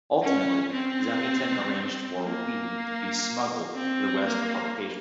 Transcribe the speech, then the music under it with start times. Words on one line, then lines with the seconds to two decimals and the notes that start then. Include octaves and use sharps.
Ultimately, Zamyatin arranged for "We" to be smuggled to the West for publication.
0.23 C#4
0.73 C4
2.24 A#3
3.74 C4
4.25 A#3